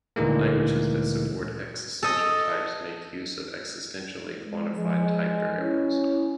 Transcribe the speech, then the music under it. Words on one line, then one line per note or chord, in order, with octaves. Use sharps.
Languages that support existential types make use of existentially quantified type variables.
D2 A#2 D#3 E3 G#3 A#3
A4 D#5
G#3
F3 G#3
C#4 E4